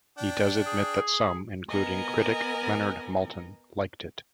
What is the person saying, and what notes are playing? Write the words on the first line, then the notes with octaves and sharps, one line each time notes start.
He does admit that some, including critic Leonard Maltin, liked it.
D4 G5
G#4
B3 A#4 D#5 G#5 A#5